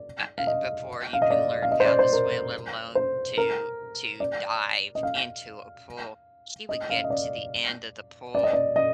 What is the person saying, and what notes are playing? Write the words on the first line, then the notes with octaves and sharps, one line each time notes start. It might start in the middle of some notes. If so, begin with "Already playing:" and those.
ah, uh, before you can learn how to swim, let alone to to dive into a pool. She would get to the end of the pool,
Already playing: D5
F5
D#5
F5
D#5
D5
F5
D#5
C5
D5
C5
A#4
C5
A#4
D5
D#5
F5
D#5
F5
D#5
D5
D5
D#5
D5
D#5